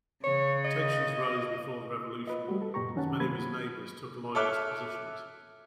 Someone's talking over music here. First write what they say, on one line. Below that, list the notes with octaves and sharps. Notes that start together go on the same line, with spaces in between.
Tensions rose before the revolution, as many of his neighbors took Loyalist positions.
C#3 C#5
D#5
F4 B4 D#5
G3 A3 F#4
A4
F#2 A#2 G4 A#5 C#6
F#2 D#3 C#4 F#5 A5
F#3 A#3 C5 B5 G#6
A4 C#5 E5 D6 F6 F#6